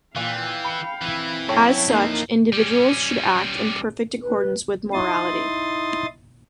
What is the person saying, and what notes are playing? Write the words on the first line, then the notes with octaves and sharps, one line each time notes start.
As such, individuals should act in perfect accordance with morality.
A#2 E3 F5 G5
B5 C#7
E3 C4 E4
F#2 A4 C#5 G5
F2 F3 A#3 D#4
G3 C#4
B4
D#4 E4 C6 D#6 A6